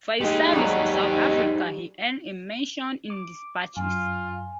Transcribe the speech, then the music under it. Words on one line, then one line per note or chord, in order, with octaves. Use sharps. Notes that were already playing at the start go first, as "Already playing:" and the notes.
For his service in South Africa he earned a Mention in Despatches.
G#3 D#4 G4
B1 G#2 F#3 G3
D6
F#2 F4 G#5